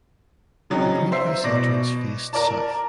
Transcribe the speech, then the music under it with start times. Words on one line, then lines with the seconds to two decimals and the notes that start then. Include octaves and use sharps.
The greenhouse entrance faced south.
0.70 C#3 F#3 C4 C#4 D#4
1.12 C5 E5 C7
1.44 B2 D5 D6 A#6
2.33 A#4 D5 A5